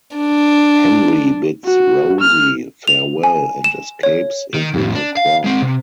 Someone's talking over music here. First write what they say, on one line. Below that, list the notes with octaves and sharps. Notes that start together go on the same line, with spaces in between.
Henry bids Rosie farewell and escapes into the crowd.
D4
F#4
F6
F7
G#5
E7
C#5
D#3
F2 A2
D4
F5
G#3 C4
C3